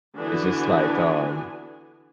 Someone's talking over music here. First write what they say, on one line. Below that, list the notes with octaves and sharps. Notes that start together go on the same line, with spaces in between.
is just, like, um,
D3 E3 B3 D4 F#4 G#5